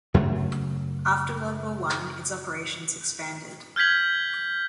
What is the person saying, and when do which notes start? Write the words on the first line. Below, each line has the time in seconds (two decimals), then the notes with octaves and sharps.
After World War One, its operations expanded.
0.14 F#2 C#3 F#3 A3
3.76 F6 G6 G#6 B6 F#7